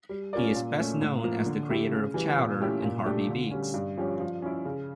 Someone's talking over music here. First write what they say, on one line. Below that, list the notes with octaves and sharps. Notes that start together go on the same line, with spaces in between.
He is best known as the creator of "Chowder" and "Harvey Beaks".
G3
C#4 F4 A#4 D5
A#2
A3 C#4
A2
F3 A#3
D3
A3 E4 G4
C#3
E3 G3
A#2
A3 C#4 E4 G4
A#2
A3 D4 G4
D3
G3 C#4
G2
F3 C#4 G4 C#5
F3
C#4 E4
C#3